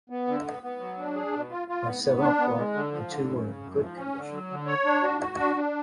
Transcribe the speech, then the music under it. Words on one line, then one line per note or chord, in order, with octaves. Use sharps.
By seven o’clock the two were in good condition.
B3
D3
B3
B3
F#3
D4
G#4
B2
F4
F4
B3
B3
D4
B3
G#3
D3
F3
D3
F#2
C#3
F#2
F3
C#4
D3
F#3
D3
C#5
D4
F#4
F#4
D4
D4